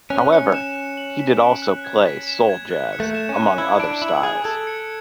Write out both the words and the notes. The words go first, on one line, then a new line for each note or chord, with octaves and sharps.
However, he did also play soul jazz, among other styles.
C#4 F#6
C#7
E7
F#6
F#7
B6
D7
F#6
G#6
B6
E7
G#6
F#6
C#7
A3
E7
C#4
F#6
E4 G#6
D4 D7
E4 F#7
G#4 G#6
A4 G#6
C#7